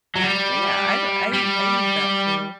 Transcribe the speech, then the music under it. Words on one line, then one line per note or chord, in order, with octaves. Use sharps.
But, yeah, I d I I used that too.
F#3
G3
G3